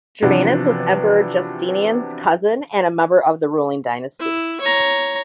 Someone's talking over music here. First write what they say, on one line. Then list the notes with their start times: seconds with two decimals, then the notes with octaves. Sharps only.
Germanus was Emperor Justinian's cousin, and a member of the ruling dynasty.
0.22 C3 E3 F3 B3 D4 F#4
4.20 E4
4.61 C#5 A#5